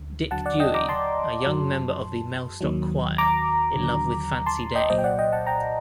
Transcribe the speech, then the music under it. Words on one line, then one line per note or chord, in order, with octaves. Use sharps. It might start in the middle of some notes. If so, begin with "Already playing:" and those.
Dick Dewy, a young member of the Mellstock Choir, in love with Fancy Day.
Already playing: D2 D3
D#2 D3 F#3 F#5 A5
D5 F#5
D#5 G5
A#5 D6
A5 C6
F#2 F#3
D#2 D#3 F#3
A#5 D6
D#2 D3 F#3
A5 C6
D#5 G5
C2 A#2 F#3 C5 D#5
G5
D5 F#5
D#5 G5
F#5 A5
G5 A#5